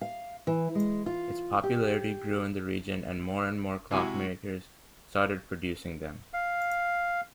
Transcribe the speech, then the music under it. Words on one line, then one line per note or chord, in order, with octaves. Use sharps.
Its popularity grew in the region and more and more clockmakers started producing them.
F5
E3
G#3
F4
G4
C3 G#3 E4 F#4 G#5
F5